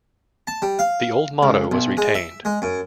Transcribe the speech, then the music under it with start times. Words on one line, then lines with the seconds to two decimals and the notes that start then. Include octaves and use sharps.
The old motto was retained.
0.47 A5
0.62 G3
0.79 F5
1.43 C#2
1.72 B1
1.97 G#3
2.14 E5
2.45 G#3
2.62 F#2